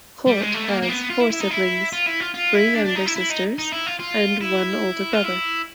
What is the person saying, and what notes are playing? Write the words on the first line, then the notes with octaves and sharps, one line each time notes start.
Cort has four siblings-three younger sisters and one older brother.
G3
G#3
A3
A#3
A#3
B3
F4
E4
E4
D#4
E4
F4
E4
F4
F4
E4
D4
D4
D#4
E4
E4
D#4
D#4
E4
F4
F4
E4
F4
E4